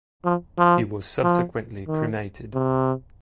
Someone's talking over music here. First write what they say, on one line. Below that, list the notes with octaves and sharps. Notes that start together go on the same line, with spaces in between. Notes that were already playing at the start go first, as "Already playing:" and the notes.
He was subsequently cremated.
F3
F3
F3
D#3
C3